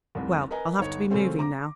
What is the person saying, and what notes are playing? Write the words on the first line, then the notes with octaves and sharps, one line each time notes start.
Well, I'll have to be moving now.
F1 C2
A#4 B4 D#5 G#5 A#5
G1 D#4 C#5
C#3 F#3 G#3 A3 C4 C#4
A#5 D6 A#6